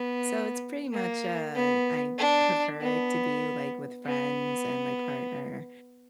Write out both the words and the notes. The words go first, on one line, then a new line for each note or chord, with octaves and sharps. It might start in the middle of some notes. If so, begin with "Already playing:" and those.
So, it's pretty much, uh, I prefer it to be, like, with friends and my partner,
Already playing: B3
A#3
B3
D4
B3
B3